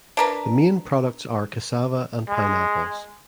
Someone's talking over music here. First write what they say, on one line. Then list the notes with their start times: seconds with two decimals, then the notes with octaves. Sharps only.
The main products are cassava and pineapples.
0.17 D4 A#4 B4
2.29 G#3